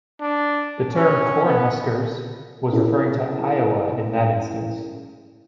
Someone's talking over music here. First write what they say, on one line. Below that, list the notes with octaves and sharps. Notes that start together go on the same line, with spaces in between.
The term "Cornhuskers" was referring to Iowa in that instance.
D4
C#4
B3
C#4 E4 G#4 A#4